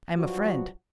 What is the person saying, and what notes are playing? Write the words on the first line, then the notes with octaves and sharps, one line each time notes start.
"I am a friend."
G2 F3 F#3 F#4